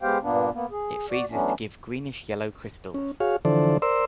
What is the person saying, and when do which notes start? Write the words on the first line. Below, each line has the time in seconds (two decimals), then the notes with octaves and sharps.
It freezes to give greenish-yellow crystals.
0.01 G#3 B3 G4 C5 F5 G5
0.22 G2 A#2 A#3 B3 D4
0.54 A#3 B3
0.71 G#4
1.10 F#4 D5
1.31 E3 F#3 A3 B3 C#4 D4
2.94 C#4
3.20 F#4 G#4 C#5 F5
3.45 D3 E3 F3 A4 C5 D5
3.82 A#4 C5 D5 C6 E6